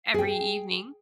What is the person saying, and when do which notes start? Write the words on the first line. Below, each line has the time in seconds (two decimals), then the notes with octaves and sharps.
every evening.
0.14 G#4 G5